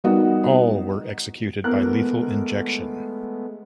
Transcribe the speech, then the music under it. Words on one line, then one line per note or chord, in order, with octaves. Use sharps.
All were executed by lethal injection.
G3 B3 D#4 F#4 A#4
E2 G#3 A3 B3 A#4 F#6